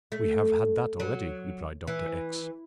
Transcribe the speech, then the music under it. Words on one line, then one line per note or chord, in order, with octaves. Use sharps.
"We have had that already," replied Dr. X----.
A3
F#3
E3